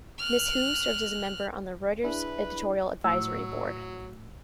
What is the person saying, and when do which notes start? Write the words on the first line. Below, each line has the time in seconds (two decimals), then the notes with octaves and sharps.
Ms Hu serves as a member on the Reuters Editorial Advisory Board.
0.19 F6 F#6
2.04 D4 E4 G#4 B4
3.04 A2 F#3 E6